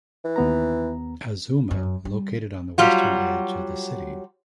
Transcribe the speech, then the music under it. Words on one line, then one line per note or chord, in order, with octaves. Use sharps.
Azuma, located on the western edge of the city.
E3
D#2 B3 A#5
F#2
G3
F#3 G3 F4 F#4